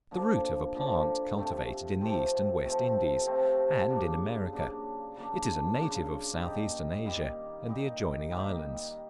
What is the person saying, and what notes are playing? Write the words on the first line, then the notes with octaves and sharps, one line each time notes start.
The root of a plant cultivated in the East and West Indies, and in America; it is a native of South-eastern Asia and the adjoining islands.
D3 F3 A#3
D3 F3 A#3
C3 F3 A3 C4
C3 F3 A3 C4
C3 F3 A3 C4
C3 F3 A3 C4
C#3 F#3 A#3 D4
C#3 F#3 A#3 D4
C#3 F#3 A#3 D4
C#3 F#3 A#3 D4
D#3 G3 A#3 D#4
D#3 G3 A#3 D#4
D#3 G3 A#3 D#4
D#3 G3 A#3 D#4